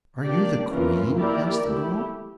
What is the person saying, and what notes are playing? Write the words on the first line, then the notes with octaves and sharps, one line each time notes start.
"Are you the Queen?" asked the girl.
A#3 D4 G4 D5
E3 A#3 C#4 F4 A#4
A#3 E4 G4 A#4 D5
A3 E4 G4